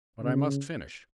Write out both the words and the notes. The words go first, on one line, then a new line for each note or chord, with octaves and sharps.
But I must finish.
C#3